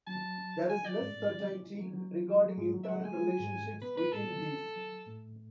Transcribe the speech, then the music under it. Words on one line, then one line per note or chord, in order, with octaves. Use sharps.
There is less certainty regarding internal relationships within these.
F#3 A5
E3 G#5
F#3 D5
G#2 G#3
A2 A3
G#2 G#3
F#3
E3
E3
F#3
F#3
E3
F#3
G#2 G#3
F#3
E5
F#3 F#5
A3 G#5
G#3
F#3
G#2 G#3
B2 B3 B4
B4
A2 A3 A4
B2 B3
F#3
E3
F#3
A2 A3